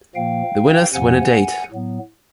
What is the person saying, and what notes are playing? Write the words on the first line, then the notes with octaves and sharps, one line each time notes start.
The winners win a date.
A#2 F3 A#3 F5 G5
F2 C3 F3 A#3 F#5 G#5
A2 F#3 B3